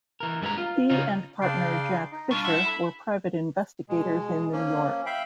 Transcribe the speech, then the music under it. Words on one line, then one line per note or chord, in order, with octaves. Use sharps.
He and partner Jack Fisher were private investigators in New York.
E3 A#4
G2 G#3 A4 B4 A#5
F4
C#3 C#4 D#4 F4 F5
C#3 D4 F5 G5 C6
D#4
B2 G3 D4 F4 A5
E4 F#5 C6
A4 B5
B2 G#3
F3 A#3 C#4
E5 F5 G5 B5